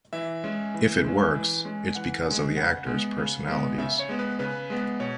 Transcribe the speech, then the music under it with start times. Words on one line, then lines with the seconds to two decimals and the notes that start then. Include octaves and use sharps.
If it works, it's because of the actors' personalities.
0.13 E3 E5
0.44 G#3 C#4
0.74 E3
1.04 G#3 C#4
1.35 E3
1.65 G#3 C#4
1.95 E3 F#5
2.26 G#3 C#4
2.57 C#3 F#5
2.87 G#3 B3
3.18 C#3
3.48 G#3 B3
3.78 C#3 E5
3.99 C#5
4.09 G#3 B3
4.19 B4
4.39 C#3 B4
4.70 G#3 B3
5.00 B2 C#5